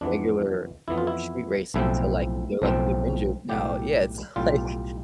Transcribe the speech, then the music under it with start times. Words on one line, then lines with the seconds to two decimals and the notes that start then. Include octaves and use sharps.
regular r street racing to like, they're like the Avengers now Yeah, it's like
0.01 F2 E3 B3 D4
0.88 F2 E3 B3 E4
0.98 F4
1.07 E4
1.74 B1 A2 F3 C4 E4
2.62 B1 A2 F3 C4
3.49 B1 A2 G3 G4
4.36 B1 A2 G3 F4